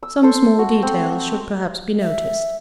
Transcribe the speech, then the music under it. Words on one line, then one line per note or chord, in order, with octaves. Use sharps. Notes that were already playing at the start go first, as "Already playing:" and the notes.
Some small details should perhaps be noticed.
E6
A4 C5
F#4
C4
E5